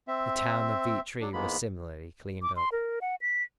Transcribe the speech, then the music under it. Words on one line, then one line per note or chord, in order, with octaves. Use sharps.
The town of Vietri was similarly cleaned up.
C4 E5
F#3 D4
E2 G#2 G#3 A#3 B3 B5
D6
C6
A#4
F#5
B6